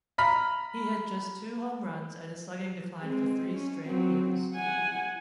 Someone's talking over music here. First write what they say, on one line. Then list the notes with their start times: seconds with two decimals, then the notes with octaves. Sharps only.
He hit just two home runs and his slugging declined for three straight years.
0.18 A#5 B5 F6 B6
3.02 G#3 C4
3.54 C#4
3.85 F#3 C4
4.55 F#5 G#5